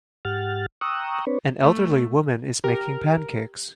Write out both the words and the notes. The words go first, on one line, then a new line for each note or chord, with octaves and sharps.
An elderly woman is making pancakes.
G#2 G4 F#5 F6 A6
G5 A#5 C#6 D#6 E6 F#6
C4 D4 B4 C#5
A3
G4 A#4